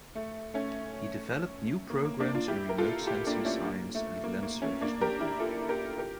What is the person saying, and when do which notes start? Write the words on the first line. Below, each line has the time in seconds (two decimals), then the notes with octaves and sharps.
He developed new programs in remote sensing science and land surface modeling.
0.15 A3
0.54 A3 C#4
1.90 A#3
2.05 A#3
2.20 A#3 D4
2.35 D4 F4
2.48 E4 G4
2.69 A#4
2.78 F4 A4
3.07 E4 G4
3.27 A#3 D4
3.45 A3 C#4
3.66 A#3
3.95 A3
4.24 A#3
4.43 A#3
4.62 A3 C#4
4.81 A#3 D4
5.01 G4 A#4
5.20 E4 G4
5.40 F4 A4
5.69 G4 A#4
5.98 G4 A#4